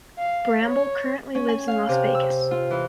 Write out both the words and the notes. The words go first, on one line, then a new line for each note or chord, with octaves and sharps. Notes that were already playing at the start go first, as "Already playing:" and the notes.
Bramble currently lives in Las Vegas.
F5
C#5
C#4
G#5
F5
C3
E6
F4
E3